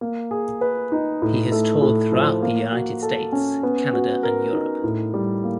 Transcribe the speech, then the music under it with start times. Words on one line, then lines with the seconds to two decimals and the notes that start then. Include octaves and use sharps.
He has toured throughout the United States, Canada, and Europe.
0.01 A#3
0.31 G#4
0.61 B4
0.92 D#4
1.22 A2
1.52 A3
1.82 A2
2.12 F3
2.42 A#3
2.72 F#4
3.03 A4
3.33 C#4
3.63 B3
3.93 F#4
4.23 A#4
4.53 D#4
4.84 A2
5.14 G3
5.44 A#3